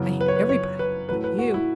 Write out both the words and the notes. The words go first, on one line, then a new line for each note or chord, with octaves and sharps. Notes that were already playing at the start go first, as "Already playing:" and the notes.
I hate everybody--but you!
Already playing: F#2 C#3 E3 B3
B4
C#5
B4
C#5
B4
A2 F#3 A3 B4
B4
F#4
E4